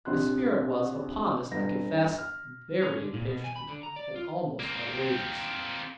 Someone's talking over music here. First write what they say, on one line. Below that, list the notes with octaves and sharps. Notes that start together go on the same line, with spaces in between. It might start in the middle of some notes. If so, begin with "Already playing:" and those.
My spirit was, upon this, I confess, very impatient, and almost outrageous.
A#1 C3 C6 F#6
G1 A#6
F6
C#4
D3
A#2
B2
G#5
B5
D3
A#5
D5
F4
A#3 C4